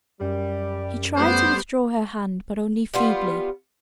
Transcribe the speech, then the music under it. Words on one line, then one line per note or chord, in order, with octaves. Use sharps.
She tried to withdraw her hand, but only feebly.
F#2 G3
G3 A3 B3 C5
G3 B3 F4